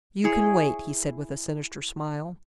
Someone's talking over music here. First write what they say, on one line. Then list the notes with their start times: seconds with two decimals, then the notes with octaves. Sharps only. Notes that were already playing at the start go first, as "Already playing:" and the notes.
"You can wait," he said with a sinister smile.
0.24 E4 G#4 C#5